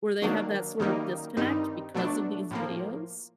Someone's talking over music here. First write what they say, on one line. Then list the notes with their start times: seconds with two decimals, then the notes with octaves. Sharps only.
where they have that sort of disconnect because of these videos
0.22 D#3 F#3 A#3 D4
0.79 F#2 D#3 G3 A#3 D#4
1.37 G2 D#3 G3 C4 D#4
1.94 B2 F#3 A3 D4
2.51 A2 F3 A#3